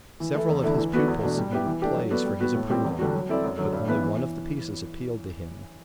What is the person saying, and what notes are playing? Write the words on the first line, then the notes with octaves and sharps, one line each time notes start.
Several of his pupils submitted plays for his approval, but only one of the pieces appealed to him.
E3
A3 E4 A4
E2
D3 A3 E4
E3
B3 F#4 A4 D5
E2
B2 A3 D4 F#4
G3
B3 E4 G4
E3
A3 D4 G4
F#3
B3 F#4 A4 D5
G3
B3 F#4
A2
G3 C4 G4
E2
D3 G3 D4 F#4
F#3
C4 E4 A4 D5
F#2
D3 F#3
G2
E3 B3 E4 B4
E3